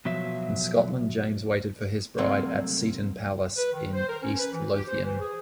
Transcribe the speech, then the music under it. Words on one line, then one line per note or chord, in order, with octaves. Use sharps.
In Scotland James waited for his bride at Seton Palace in East Lothian.
B2 F3 F#3 E5
C2 F#3 A3 A#3 C4 F#5
B4
D#3
C5
A#4
C#4
B4
E3
G4
C5
E3
G#4